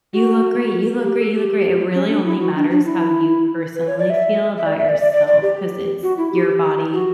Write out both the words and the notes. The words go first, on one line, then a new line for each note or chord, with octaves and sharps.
"You look great. You look great. You look great." It really only matters how you personally feel about yourself 'cause it's your body.
F#4
G4
A4
G4
C#4
D4
E4
F#4
D4
D4
E4
B4
C#5
D5
E5
E5
D5
E5
D5
D5
D5
D5
G4
F#4
E4
G4
F#4